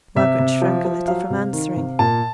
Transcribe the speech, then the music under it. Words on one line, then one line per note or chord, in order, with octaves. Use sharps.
Margaret shrank a little from answering.
C3 E5
C3
F3
F3
F#3 F5
C3
D#3
C3
A#2 A5